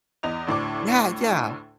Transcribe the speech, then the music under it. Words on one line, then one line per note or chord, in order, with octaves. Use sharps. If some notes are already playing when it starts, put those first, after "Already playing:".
Yeah, yeah.
E2 D#5 F7
D2 A2 D4 D6